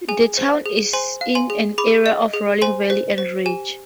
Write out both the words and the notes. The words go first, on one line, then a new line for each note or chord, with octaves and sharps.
The town is in an area of rolling valleys and ridges.
G#4 G#5
C5
G#4
C5 G#5 C6
F5
G#5 C6
G#4
G#4 B5 D6
D#5
G#4
C5 G#5 C6
C5
C5
G4 G#5